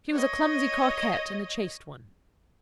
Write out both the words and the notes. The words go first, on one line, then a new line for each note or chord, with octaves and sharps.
She was a clumsy coquette and a chaste one.
C#5 D#5